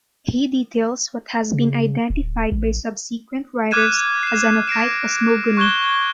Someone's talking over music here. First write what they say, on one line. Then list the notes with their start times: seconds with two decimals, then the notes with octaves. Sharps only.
He details what has been identified by subsequent writers as an Ophite cosmogony.
1.52 C#3
2.10 D1
2.52 A1
3.71 D6 F6 F#6 G#6 D#7 E7
4.23 C7 E7
4.68 A#6 C7 D7 E7
5.57 C#6 F#6 G#6 E7 G7